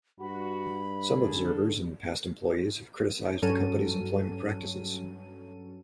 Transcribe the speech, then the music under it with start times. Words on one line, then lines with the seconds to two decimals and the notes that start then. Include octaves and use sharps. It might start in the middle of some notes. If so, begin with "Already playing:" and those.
Some observers and past employees have criticized the company's employment practices.
0.20 G2 F#4 B5
1.10 D3 G#4 A4
3.42 G2 F#3 C#4 A4 D#7